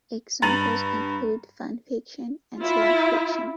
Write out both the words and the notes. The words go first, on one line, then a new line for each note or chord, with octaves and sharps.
Examples include fan fiction and slash fiction.
G2 A#5 A6 D#7 F#7
E4 F4